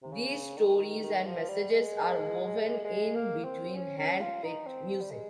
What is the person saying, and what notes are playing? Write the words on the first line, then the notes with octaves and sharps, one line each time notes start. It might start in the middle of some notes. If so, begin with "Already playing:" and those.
These stories and messages are woven in between hand-picked music.
C3
C#3
D#3
D#3
F3
G3
G#3
G#3
A#3
C4
C#4
C#4
F4
D#4
C4
G3
G#3